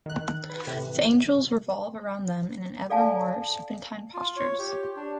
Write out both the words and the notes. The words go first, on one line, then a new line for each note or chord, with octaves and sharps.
The angels revolve around them in ever-more serpentine postures.
D#3 F#6
B4
A2 C3 E3
A4 D5 F5 G#5 A5
F4
C#5
G4
D4